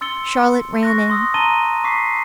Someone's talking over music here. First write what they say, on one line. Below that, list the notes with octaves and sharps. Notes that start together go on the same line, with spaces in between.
Charlotte ran in.
C6 E6 A6 C#7 G7
C#6 F#6 A#6
C6 D#6 E6
A5 A#5 A6 D#7 G7
C#6 D6 B6 C7